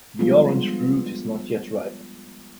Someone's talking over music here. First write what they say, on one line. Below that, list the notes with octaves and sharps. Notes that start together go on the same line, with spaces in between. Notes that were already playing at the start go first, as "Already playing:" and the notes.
The orange fruit is not yet ripened.
F3 G3 G#3 B3 D4 F4